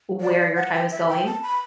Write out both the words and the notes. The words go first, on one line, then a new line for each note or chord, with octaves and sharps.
where your time is going
D5
F#5
G5
E5
G5
A5
B5